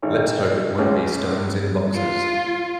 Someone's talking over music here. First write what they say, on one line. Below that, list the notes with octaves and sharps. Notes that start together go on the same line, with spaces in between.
Let's hope it won't be stones in boxes.
G#1
C#2
F4